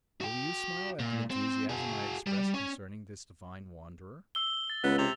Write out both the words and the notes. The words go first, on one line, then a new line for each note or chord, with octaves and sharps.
Will you smile at the enthusiasm I express concerning this divine wanderer?
F#4 G5
A#2
C4
F#4 G#4
G3
C#4
E6 G7
A6
C#2 B3
C3 F7